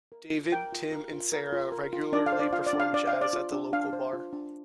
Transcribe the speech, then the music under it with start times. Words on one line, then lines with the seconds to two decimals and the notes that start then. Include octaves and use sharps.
David, Tim and Sarah regularly perform jazz at the local bar.
0.12 A#4
0.32 F4
0.52 A#4 G5
0.72 F4
0.92 A#4
1.12 F4
1.32 A#4
1.52 F4
1.72 A#4
1.93 F4
2.13 D4 D5
2.26 F5
2.32 C5
2.39 D5
2.53 F4 F5
2.67 D5
2.73 D4
2.80 F5
2.93 D4 D5
3.07 F5
3.13 C5
3.21 D5
3.33 F4
3.52 D4
3.73 D4 F5
3.93 C5
4.13 F4
4.33 D4